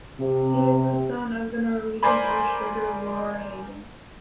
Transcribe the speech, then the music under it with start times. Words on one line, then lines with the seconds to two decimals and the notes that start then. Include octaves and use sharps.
He is the son of the Norwegian illustrator Roar Hagen.
0.20 C3
2.03 A#4 C5 D5 G#5 B5